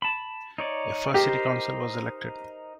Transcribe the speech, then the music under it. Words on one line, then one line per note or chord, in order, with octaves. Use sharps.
A first City Council was elected.
A5 B5
D#4 C#5 D5
D#4 G4 A#4 C5